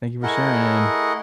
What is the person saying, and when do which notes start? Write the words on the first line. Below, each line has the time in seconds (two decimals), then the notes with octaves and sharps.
Thank you for sharing, and
0.23 A3 E4 G#4 A#4 D#5 F#5